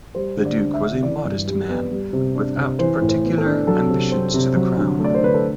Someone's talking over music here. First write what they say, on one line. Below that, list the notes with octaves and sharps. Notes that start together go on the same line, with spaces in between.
The duke was a modest man without particular ambitions to the crown.
G3 C5
D3
D5
D4
E5
D3
E3 D5
G2
G3
B3
G3
C3
D4
C3
E3 C5
A2
C5
B3
A4
D4
F#3 A4
C3
C4
C3
F#3
D3
A3
D5
C5
D3 B4
A4